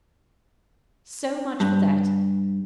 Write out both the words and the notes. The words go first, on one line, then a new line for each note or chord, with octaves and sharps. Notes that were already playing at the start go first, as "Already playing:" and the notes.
So much for that.
G2